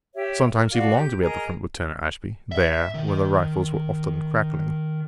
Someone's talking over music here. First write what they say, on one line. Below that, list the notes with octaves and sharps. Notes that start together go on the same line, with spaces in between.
Sometimes he longed to be at the front with Turner Ashby, there where the rifles were often crackling.
G4 C#5 E5
A#4
F#4 D5 F5
G4 G6
G#4 A#4 D#5 A#5
E5
D#3